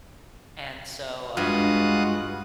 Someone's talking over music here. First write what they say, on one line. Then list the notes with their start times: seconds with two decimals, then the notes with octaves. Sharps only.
And so, uh,
1.37 G2 G#3 F4 F#4 F#5 D#6